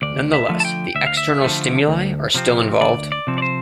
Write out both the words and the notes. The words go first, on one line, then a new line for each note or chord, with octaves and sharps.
Nonetheless, the external stimuli are still involved.
D2 D5
E5
D3 F3 A3
A5
G5
D2 E5
F5
E5
D3 F3 A3
D2
C3 F3 C4
D2 D5
D5
C3 F3 C4
D5
C5